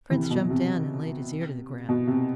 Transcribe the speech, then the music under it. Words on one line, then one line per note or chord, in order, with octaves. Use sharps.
The prince jumped down and laid his ear to the ground.
C3 E3
B2
C3
B2
C3